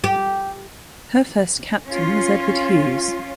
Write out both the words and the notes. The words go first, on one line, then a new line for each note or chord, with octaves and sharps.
Her first Captain was Edward Hughes.
G4
C#4 F4